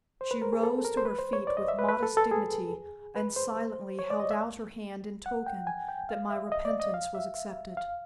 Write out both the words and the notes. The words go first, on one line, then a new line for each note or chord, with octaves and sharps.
She rose to her feet with modest dignity, and silently held out her hand in token that my repentance was accepted.
C5
B4
A#4
G#4
A4
A#4
C5
B4
C5
C#5
D5
D#5
E5
B4
B4
A4
A4
G#4
B4
C5
C#5
D5
D#5
E5
F#5
G5
G#5
G5
F5
E5
D#5
D5
D#5
F5
E5
F5